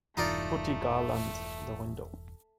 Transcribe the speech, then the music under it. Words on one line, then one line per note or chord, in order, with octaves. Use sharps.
Putti garland the window.
E1 G2 E3 A3 D#4 F4 D5